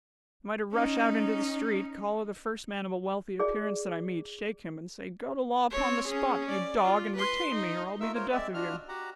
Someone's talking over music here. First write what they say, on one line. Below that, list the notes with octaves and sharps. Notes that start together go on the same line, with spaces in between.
Am I to rush out into the street, collar the first man of a wealthy appearance that I meet, shake him, and say, "Go to law upon the spot, you dog, and retain me, or I'll be the death of you"?
C#4 D#4
G#4 D5
C4 C#5
C#4 G#4
D5
F4
B4 C6
D#4
A3 F4 A#4 E5 E6
A#3 F4 A#4 C5 C#5
G#3 C4 D5 E5
D4 F4 F#4 F6
F#4 G4 F#5 A#5